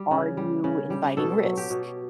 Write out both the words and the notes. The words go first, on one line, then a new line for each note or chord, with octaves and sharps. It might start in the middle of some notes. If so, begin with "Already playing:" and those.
are you inviting risk?
Already playing: G3
C#3
G3
C#3
G3
B2 A4
F#3
G4
B2